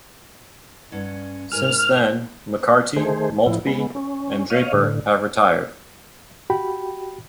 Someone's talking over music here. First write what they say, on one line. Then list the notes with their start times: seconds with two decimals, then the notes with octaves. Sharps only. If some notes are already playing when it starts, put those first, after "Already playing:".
Since then, McCarty, Maltby and Draper have retired.
0.91 G2 C#4 F#5
1.52 G#2 A#4 G#5 F6
2.96 D#3 A3 G#4 C5
3.46 A2 F3 E4
3.67 G#3 B3
3.95 C#4
4.50 C#5 D#5 F5
4.73 A2 D3
6.50 F#4 G4 G5 B5